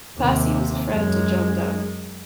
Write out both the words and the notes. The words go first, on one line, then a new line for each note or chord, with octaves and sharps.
Percy was a friend to John Donne.
D#2 C3
F#2 G#3